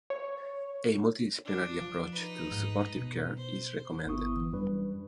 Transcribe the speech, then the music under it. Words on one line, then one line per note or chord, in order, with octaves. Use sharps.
A multidisciplinary approach to supportive care is recommended.
C#5
D4
F3
D#4 B4
G#2
B2
C5
G1 B3 E4 C#6 D#6
E3
F#2 G3 D4 B4